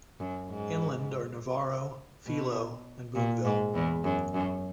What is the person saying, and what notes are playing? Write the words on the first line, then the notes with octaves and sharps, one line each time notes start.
Inland are Navarro, Philo, and Boonville.
F#2
G#2
B2
A#2
G#2
E2
F#2
F#2